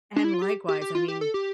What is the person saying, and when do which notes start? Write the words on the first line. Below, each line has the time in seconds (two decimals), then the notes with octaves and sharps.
and likewise, I mean
0.16 D4
0.24 E4
0.34 F4
0.42 G4
0.69 G4
0.81 G4
0.95 F4
1.08 G4
1.21 A4
1.34 G4